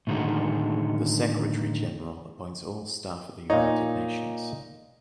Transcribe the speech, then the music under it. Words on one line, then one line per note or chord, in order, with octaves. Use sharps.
The secretary-general appoints all staff at the United Nations.
A2 D3 D#3 G#3 F#4
A#2 D#4 C#5